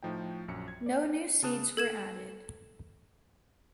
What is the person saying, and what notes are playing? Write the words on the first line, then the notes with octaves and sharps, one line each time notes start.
No new seats were added.
A2 F3 D#4 G5
A#1 F#2 C#7
G#6
D5
C#3 A#3 A5 D#6 F#6
A4 G#6 E7